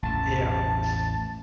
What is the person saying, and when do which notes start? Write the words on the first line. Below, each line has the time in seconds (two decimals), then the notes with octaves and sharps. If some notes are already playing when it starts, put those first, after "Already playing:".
a, um, s
0.03 A1 E2 A5